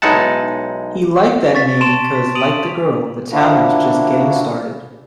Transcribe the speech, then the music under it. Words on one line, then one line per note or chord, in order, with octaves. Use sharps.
He liked that name because like the girl, the town was just getting started.
B1 G#3 D#4 E4 F#5 A5
C#6 A6 B6
A5 C6 D7 E7 F7
B6
D#6 D7 D#7 F7 F#7
D3 F3 A#3 D4 E4 F#4